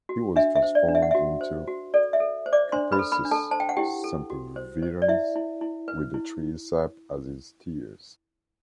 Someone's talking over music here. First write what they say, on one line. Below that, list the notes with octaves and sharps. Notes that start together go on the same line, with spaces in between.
He was transformed into "cupressus sempervirens", with the tree's sap as his tears.
F#4
D4 E5
E5
C5
D5
D4
E5
F#5
F#4 E5
C5
F#4
A4 D5
E5
A4
C5
D5 D6
D4 C5 C6
B4 B5
A4
B4 B5
D4
A4 A5
C5 A5
G5
F#5
E4 G4 G5
A4
F#4
C5
C5
D5
E4 E5
E4
E4
B4
E4